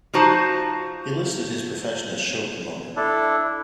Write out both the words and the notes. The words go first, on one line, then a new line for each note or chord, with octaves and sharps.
He listed his profession as "show promoter".
F3 D#4 F#4 C5 A5
D4 E4 A4